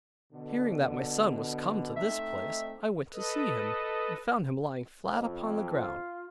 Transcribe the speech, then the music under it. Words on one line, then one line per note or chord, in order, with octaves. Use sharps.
Hearing that my son was come to this place, I went to see him, and found him lying flat upon the ground.
B2 D3
A3 C4 D#4 E5
A4 B4 D#5
F2
F4